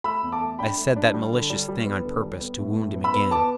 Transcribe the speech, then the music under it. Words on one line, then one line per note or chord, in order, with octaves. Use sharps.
I said that malicious thing on purpose to wound him again.
A3 B5 E6
E2
A5 D6
A3
D4 G5 B5
A3
D4
G3
D3
G3
G3
B3
D3
G3
B3
A2
A2
B3
B5 E6
B3
B3 A5 D6